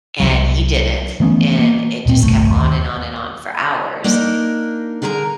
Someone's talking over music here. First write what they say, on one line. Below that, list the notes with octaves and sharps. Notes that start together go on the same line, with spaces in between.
and he didn't, and it just kept on and on and on for hours,
C2 F#3
E3 A3 B3 C#4
A#3
D1 A#2 C4
G1 C2 A3
D#2
A#3 D4 D#4 A#4
D3 G#4 A#4 A5 A#5